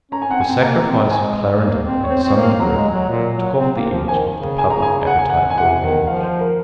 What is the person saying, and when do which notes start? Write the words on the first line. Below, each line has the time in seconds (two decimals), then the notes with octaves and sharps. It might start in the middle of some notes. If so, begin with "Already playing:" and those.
The sacrifice of Clarendon in some degree took off the edge of the public appetite for revenge.
0.11 C#4 A#5
0.22 G#5
0.29 C4 F#5
0.40 C4 G#5
0.61 A#3 A#5
0.86 C4
1.10 G#3 G#5
1.60 A#3
1.85 C4
2.03 C#5
2.10 C4 C5
2.24 C4 C#5
2.35 A#3
2.43 F5
2.60 F#3 A#5
2.76 G#3
2.93 F#3
3.09 A#2
3.34 F#3
3.59 C4
3.76 A#3
3.91 F3
4.08 D#3 G#5
4.33 C#3
4.58 G#5
4.70 A#5
4.82 G#5
5.07 F#5
5.19 G#5
5.29 F#5
5.50 G#5
5.57 C3 F#5
5.82 D#3
6.06 F3 F5
6.23 C5
6.39 A#4